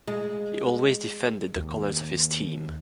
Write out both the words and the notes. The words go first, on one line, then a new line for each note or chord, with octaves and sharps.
He always defended the colors of this team.
G#3
D#2